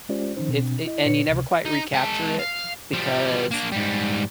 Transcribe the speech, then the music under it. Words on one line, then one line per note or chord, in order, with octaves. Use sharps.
it's it and you never quite recapture it because
G#3 C#4 F4 G4 C5 D5
D#3 F3 C#4 D#4 C5
B2 C4 D4
E4 D#5
A#2 D3 D4 B4 C#5 C#7
C#2 C3
D#4
G#3 A5
F5
F3 G3
A#3 D4
G#2 G3